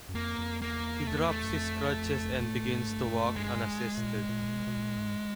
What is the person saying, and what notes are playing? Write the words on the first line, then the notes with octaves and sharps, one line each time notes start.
He drops his crutches and begins to walk unassisted.
F#2
F2 A#3
F2
E2 A#3
A3
A#3
A3
F#2
F2
A2
G#2
G2
F#2
G2 G#3
A#2
A#2
B2
B2
A#2
G#2